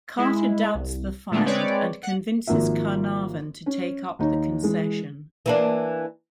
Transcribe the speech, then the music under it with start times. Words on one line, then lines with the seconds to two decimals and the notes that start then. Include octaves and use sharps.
Carter doubts the find and convinces Carnarvon to take up the concession.
0.18 G#3 E4
0.74 C2
1.31 A#2 G#3 A3 B3 D4
1.45 G#3 C4 B4 C#5 D5
2.03 F#5
2.47 G#1 F3 A#3 F#4 E5
3.66 C#4
4.19 D#2 D#4 C#5
4.63 E3 G#3
5.46 E3 A#3 D4